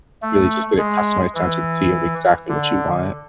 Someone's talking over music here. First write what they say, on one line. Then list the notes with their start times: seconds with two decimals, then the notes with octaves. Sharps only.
really just get it customized down to the T of exactly what you want.
0.22 A3
0.78 G#3
1.35 E3
2.48 D3